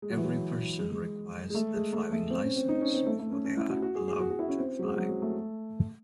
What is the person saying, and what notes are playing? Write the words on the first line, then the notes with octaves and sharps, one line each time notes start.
Every person requires a driving license before they are allowed to drive.
G#3
F#3
E3
F#3
G#3
G#3
G#3
A3
G#3
A3
A3
C4
C#4
C4
D#4
C#4
C4
A3
A3
C#4
C#4
E4
F#4
F#4
G#4
G#4
F#4
F#4
E4
C#4
C4
F#3
G#3
F#3
F#3
A3